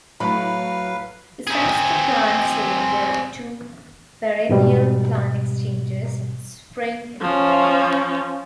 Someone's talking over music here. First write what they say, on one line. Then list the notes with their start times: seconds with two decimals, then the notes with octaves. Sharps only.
Besides the plant sale, there are two perennial plant exchanges, spring and fall.
0.20 A2 F#3 B4 F5 B5
1.47 C4 G#4
4.49 G#2 B2 G3
7.21 F3 C#4